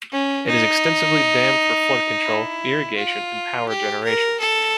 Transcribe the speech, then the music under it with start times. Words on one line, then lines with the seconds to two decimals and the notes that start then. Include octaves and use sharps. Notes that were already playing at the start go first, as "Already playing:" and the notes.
It is extensively dammed for flood control, irrigation, and power generation.
0.12 C#4
0.47 D#4
2.25 E4
2.96 F4
3.68 G4
4.04 A#4
4.40 A4